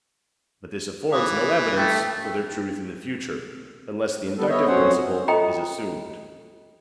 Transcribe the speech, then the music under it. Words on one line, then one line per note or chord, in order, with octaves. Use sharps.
But this affords no evidence for their truth in the future, unless the inductive principle is assumed.
E3 F5 D6 D#6
A3 G5
G3 B3 A4
B3 C#5 D#5 E5
F2 F#3 C#4 C5 C#5 F#5
F4 A4 C5 D#5 G5 A#5